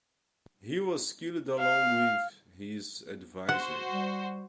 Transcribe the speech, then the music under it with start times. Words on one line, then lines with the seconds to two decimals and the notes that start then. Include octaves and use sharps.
He was killed along with his adviser.
1.60 F5
3.49 F#4 C5 F#5
3.92 G3